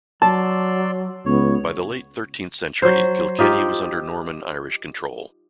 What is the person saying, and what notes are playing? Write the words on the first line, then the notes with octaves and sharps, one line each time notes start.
By the late thirteenth century Kilkenny was under Norman-Irish control.
F#3 D5 A5 C6 E6
C#2 B3 C#5
F#3 C5
D#4 F4 G4